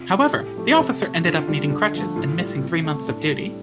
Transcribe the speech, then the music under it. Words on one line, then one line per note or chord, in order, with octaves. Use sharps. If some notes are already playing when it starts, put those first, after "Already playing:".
However, the officer ended up needing crutches and missing three months of duty.
Already playing: C3 F4
G3
A4
A2 G4
F3 A3
C5
C3 A4
A3
D3 F4
G3
D3
F3 A3
A2 F4
G3
C3
A3
A2 D4
G3